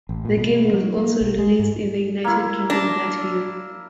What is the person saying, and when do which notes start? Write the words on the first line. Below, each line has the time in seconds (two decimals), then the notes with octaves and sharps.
The game was also released in the United Kingdom that year.
0.09 A1
0.25 A#2
0.37 B2
0.73 F#3
0.97 A#3
1.21 B1
1.39 G#3
1.59 G#2
2.24 A#3 E4
2.70 D4 A#5